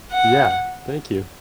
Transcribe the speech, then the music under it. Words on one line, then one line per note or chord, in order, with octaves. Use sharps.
Yeah, thank you.
F#5